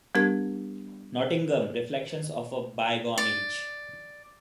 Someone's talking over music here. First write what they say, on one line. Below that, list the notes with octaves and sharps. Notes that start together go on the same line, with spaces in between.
Nottingham: Reflections of a Bygone Age.
G3 B3 D4 G4 A#4 G#6
D5